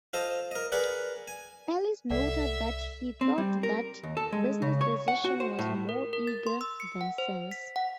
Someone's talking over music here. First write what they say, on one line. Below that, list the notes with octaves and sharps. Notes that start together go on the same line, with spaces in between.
Ellis noted that he thought that business decision was more "eager than sense".
F4 A4 C5 D#5
A#4 D#5
G#4 A#4 B4 D5 F#5
G#5
C2 A4 D5 E5 F#5
C4
G3
A#4
D#2
A4
G#3
C#3
C#5
F#5
F#4
C5
A2
A#4
A#4
A6
C6
E6
C#7
F#5
C5
B6
F#5